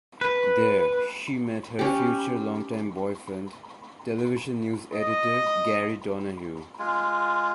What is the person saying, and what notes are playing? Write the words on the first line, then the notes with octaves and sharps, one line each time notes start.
There, she met her future longtime boyfriend, television news editor Gary Donahue.
B4
C#4 G4
D#5
G#3 F4